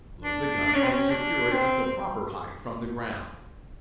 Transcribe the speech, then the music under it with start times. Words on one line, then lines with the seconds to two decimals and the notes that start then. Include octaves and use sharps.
Load the gun, and secure it at the proper height from the ground.
0.23 D4
0.67 D4
0.74 C#4
0.83 C4
0.92 C#4
1.10 D4
1.52 C4
1.86 C4